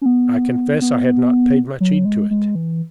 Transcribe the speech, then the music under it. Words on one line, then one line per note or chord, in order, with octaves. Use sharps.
I confess I had not paid much heed to it.
C#4
B3
B3
F#3
G#3
G#3
E3